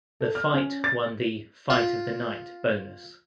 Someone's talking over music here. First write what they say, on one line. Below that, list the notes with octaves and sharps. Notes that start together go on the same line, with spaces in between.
The fight won the "Fight of the Night" bonus.
A4
F6
C#4
A6
F4